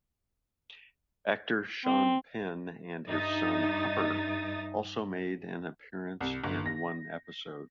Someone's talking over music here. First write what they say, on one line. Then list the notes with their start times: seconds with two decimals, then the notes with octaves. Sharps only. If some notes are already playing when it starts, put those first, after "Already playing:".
Actor Sean Penn and his son Hopper also made an appearance in one episode.
1.86 C4
3.08 G2 D#4 E5 D#6 A6
6.21 C2
6.44 G1
6.66 A#6